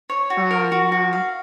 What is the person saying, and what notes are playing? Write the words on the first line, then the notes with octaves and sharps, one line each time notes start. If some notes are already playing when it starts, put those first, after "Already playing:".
Oh, no.
C#5
F#4
A#4
F#4
F#4
F5